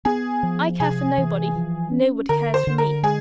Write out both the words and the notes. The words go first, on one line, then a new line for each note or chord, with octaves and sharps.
'I care for nobody-- Nobody cares for me.'
B3 G#4
F3
C3 G#4
E3
F3
C#4
D3 A#4
C5
D3
A#4
G#3 G#4